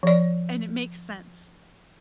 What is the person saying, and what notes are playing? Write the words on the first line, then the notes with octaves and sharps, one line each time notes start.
and it makes sense.
F3 D5